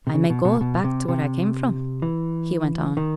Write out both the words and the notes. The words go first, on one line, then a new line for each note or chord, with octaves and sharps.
'I may go back to where I came from,' he went on.
C3
C#3
B2
B2
B2
C3
C3
E3
D#3